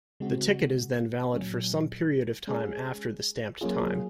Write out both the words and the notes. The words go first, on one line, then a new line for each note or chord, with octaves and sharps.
The ticket is then valid for some period of time after the stamped time.
C#3 G#3 C4 F#4
A#2 F#3 C#4
G#3 C#4 G#4
F#3 A#3 C#4 F4 G#4